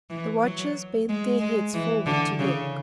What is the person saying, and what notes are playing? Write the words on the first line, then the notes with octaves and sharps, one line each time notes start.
The watchers bent their heads forward to look.
E3
F#3
G#3
G#3
E3
D3
C#3